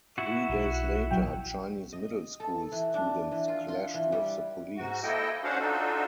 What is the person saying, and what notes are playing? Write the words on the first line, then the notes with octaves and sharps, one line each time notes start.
Three days later, Chinese middle school students clashed with the police.
E4 F#4
B1
A#1 F#3 G5
D#5
A4
E3
D4
E3
F4
F4
E3
G3
G#2 F#4
A#3 E4 A4 D#5 G5
C#4 D4 F#4 C5 F5 F#5
D4 D#4 F4 F#4 A4